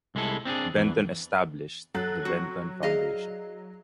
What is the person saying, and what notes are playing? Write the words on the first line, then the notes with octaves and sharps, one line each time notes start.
Benton established the Benton Foundation.
C2 G#3 E4 A4
C4 D4 G4 G#4
E2 E3
F#3 A4 F#5 F#6
C4 F#4
E4 G#4 D5 D#5 F5